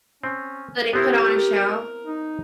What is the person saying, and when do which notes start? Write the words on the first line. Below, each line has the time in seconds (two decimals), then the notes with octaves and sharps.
So, they put on a show?
0.24 C4 C#4
0.93 B3 C4 E4 G4 A#4
2.06 D#4